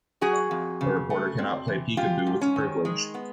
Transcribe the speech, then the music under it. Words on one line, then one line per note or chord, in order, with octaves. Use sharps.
A reporter cannot play peek-a-boo with the privilege.
F#3 F#4 G#4
F2
C#3
A3
C4
E3
G#3 F4 G4
G#2
C#4
D#3
G#3
B3